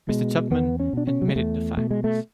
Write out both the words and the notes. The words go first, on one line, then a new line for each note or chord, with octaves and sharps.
Mr. Tupman admitted the fact.
B2 G#3
E2 B3
C#4
B2 D4
C#4
F#3
G#3
E2 A3
B2 A3
G#3
A3